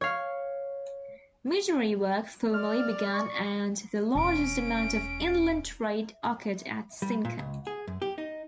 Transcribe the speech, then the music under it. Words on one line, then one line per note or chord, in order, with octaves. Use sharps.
Missionary work formally began and the largest amount of inland trade occurred at Sinkan.
C#5 F5
D5 F6
C#6
E1 C#4 D7
G3
A#2
C#2
G#4
F#2
G4
D#4